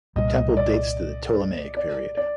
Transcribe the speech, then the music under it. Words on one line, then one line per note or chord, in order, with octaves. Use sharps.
The temple dates to the Ptolemaic period.
C2 A#2 G3 D#5
D5
D5
D5